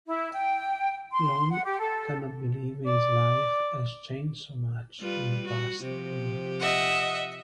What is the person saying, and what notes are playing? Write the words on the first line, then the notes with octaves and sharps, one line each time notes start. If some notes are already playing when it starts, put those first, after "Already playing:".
Jon cannot believe his life has changed so much in the past few days.
E4
G5
C6
F#5
G4
A4
D5
G3 F4 B4
F#4
C3 F3 G4
D#5 E5 F#5